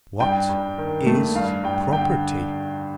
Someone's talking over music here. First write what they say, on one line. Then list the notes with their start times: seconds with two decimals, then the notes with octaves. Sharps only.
What is property?
0.20 G2 G5
0.49 G2
0.78 D#3
1.07 A3
1.35 G2 F5
1.64 G2 G5
1.92 D3 G5